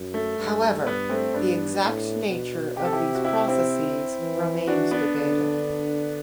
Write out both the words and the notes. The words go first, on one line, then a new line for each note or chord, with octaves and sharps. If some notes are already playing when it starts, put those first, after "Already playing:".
However, the exact nature of these processes remains debated.
Already playing: F#2
A3
G2
G2 B3
A3 C4
G2 B3 D4
A2
B2
C3 G4
A4
E4 G4
F#4
E4 G4
C4 E4
E3
D4 F#4
B3 D4
D3